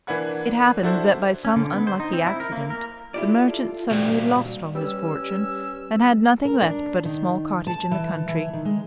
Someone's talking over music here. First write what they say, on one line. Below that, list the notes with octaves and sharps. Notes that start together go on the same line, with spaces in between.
It happened that, by some unlucky accident, the merchant suddenly lost all his fortune, and had nothing left but a small cottage in the country.
E3 A#3 D4 B4 F#5 G#6
D4 E4 F#4 A4 C5
C#4
D3
B3
C5
D#4
C4
E4
A#4
A#3
A#4
E4 F4 G4 A4 D5
C2 G2 A#2 F#4
G3 C#4 B4 E6
A#4
D4
D#3
A5
E3
E3
D#3
G#3